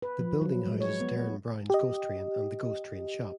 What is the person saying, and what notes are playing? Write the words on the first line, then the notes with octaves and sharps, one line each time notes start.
The building houses "Derren Brown's Ghost Train" and The Ghost Train Shop.
B4
F3
F#3
G#3
C#5
B3
G4 D#5